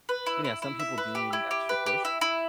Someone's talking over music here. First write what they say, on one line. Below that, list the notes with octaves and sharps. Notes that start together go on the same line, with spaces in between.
And, yeah, some people do need an extra push,
B4
E4
E4
E4
E5
B4
G4
E4
G4
B4
G4
E4
E4